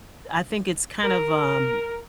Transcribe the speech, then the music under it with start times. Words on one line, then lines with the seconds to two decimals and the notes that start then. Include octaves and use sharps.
I think it's kind of, um d
1.02 A#4